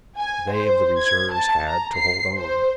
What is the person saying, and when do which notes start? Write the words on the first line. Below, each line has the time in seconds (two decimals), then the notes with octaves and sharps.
They of the reserves had to hold on.
0.17 G#5
0.52 C5
0.98 G#6
1.34 A5
1.68 A#5
1.98 C7
2.37 C5